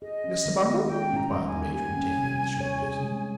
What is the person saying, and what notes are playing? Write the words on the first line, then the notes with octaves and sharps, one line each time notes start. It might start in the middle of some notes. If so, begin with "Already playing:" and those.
Mr. Bumble?' inquired the matron, taking up the sugar-basin.
G#4 D#5
C#4
D#3
G#3
F4 G5
C#4
A#5
G3
G#5
A#3
G4 G#5
C#4
C3
G3
C#5
G#4
G#3